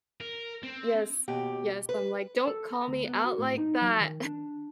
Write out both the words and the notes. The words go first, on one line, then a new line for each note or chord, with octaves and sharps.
Yes. Yes. I'm like, "Don't call me out like that."
A#4
C4
D#2 B2 G4
B4
A4
A#5
D2
B3
F#4
A2
D#4
F#3
D#3
D4